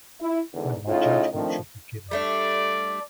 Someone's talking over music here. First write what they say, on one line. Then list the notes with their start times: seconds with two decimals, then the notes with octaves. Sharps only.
When my judgment should be given.
0.20 E4
0.54 E2 G#2 D3
0.88 A2 C#3 D#4 F4 D#5
1.33 D#3 F3 A3 C4 D4
2.11 G3 A3 D4 D5